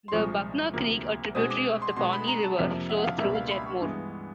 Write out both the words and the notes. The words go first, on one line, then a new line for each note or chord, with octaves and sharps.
The Buckner Creek, a tributary of the Pawnee River, flows through Jetmore.
C6
C2 A#2 F3 G#3 C#6
D2 C3 F3 A#3
B2 G#3 C4 D#6
D6
C6
B2 G#3 B3 C6
B5
A#5
A5
F2 C3 F3 A#3 E5
E5
F#5
F5
C#2 B2 G3 A#3 E5
F5
B5
C#6
G2 E3 G#3 B3